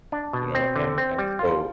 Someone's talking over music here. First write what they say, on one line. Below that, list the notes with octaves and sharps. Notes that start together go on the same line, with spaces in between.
You know, and and so
D4
B2
C4
D3
C4
G3
F4